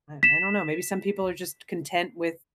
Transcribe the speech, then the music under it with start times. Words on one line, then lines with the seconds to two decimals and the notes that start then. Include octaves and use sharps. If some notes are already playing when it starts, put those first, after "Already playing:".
I I don't know, maybe some people are just content with
0.23 B6 E7